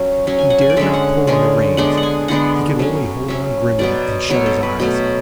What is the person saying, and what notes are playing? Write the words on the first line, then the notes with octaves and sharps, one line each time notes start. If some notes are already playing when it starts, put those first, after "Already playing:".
He dared not pull on the reins; he could only hold on grimly and shut his eyes.
Already playing: F#3 C#4
F#3 C#4
G#5
F#5
G#5
D5
D3 G#3 C#4 E5
F#5
D3 G#3 C#4 G#5
D3 G#3 B3 D4 F#5
F#5
G#5
D3 G#3 B3 D4 F#5
F#3 C#4
F#3 C#4 E5
B2 F#3 B3 D5
B2 F#3 B3 C#5
A4
B4
B2 F#3 A3